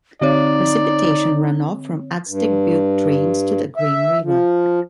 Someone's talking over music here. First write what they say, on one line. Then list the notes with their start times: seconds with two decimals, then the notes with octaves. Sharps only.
Precipitation runoff from Aztec Butte drains to the Green River.
0.21 D3 C4 D#4 C#5 D5
2.27 G2
3.77 E5
4.24 F3